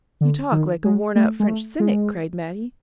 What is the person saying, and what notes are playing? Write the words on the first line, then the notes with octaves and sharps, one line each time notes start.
"You talk like a worn-out French cynic," cried Mattie.
D3
D#3
G#3
A3
G#3
A3
G#3